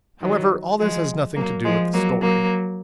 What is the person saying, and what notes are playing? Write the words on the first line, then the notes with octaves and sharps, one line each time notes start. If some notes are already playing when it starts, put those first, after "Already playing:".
However, all this has nothing to do with the story.
D#3 F#3
F3 G#3
F#3 A#3
F3 G#3
F#3 A#3
F#3 A#3